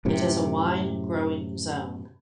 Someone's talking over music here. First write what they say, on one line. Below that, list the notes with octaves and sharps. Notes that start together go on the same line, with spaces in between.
It is a wine-growing zone.
F#2 A2 C3